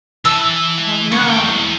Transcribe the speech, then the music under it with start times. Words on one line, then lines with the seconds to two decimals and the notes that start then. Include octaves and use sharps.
Oh, no.
0.25 E3 A5 E6
1.12 C#3 C#6
1.27 D#2 G5
1.43 E2